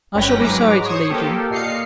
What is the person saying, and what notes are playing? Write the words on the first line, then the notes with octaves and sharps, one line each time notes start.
I shall be sorry to leave you.
G1 C#4 B4 G5 A#6 B6
G#2 F#3 G#3 B4 A#5 D6
C5 C#5 C#6 D#6
A#3 G4 A4
A#2 D#5 F5 C7 C#7